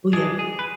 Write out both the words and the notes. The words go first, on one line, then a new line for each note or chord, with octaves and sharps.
Ooh, yeah.
E3 G#3 D4 G#4
G#4
B4